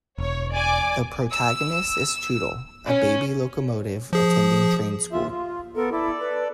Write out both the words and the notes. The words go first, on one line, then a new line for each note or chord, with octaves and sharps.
The protagonist is Tootle, a baby locomotive attending train school.
E1 C#5
D5 G#5 D6
E6
C#4
F3 G#4
D#2 F4 E5
F4
B3 A4 A#4
E4 A4 D5
B4